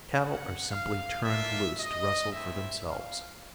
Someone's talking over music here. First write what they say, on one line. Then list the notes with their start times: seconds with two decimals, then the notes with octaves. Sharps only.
The cattle are simply turned loose to rustle for themselves.
0.15 A#3 C#4 F#4 F#5
0.70 F5
1.24 A#3 D4 F4 E5
1.79 D#5
2.32 A3 C4 E4 E5
2.86 F5